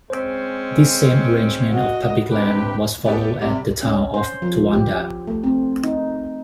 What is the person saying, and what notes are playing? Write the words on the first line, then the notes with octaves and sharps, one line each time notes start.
This same arrangement of public land was followed at the town of Towanda.
G#3 C4 C#4 C5
F#4 D#5
C3 D4 G4 B4 G5
B3 G4 A4
C3 G3 D5
C#4
C5
F3
G4
A3
C4
D#4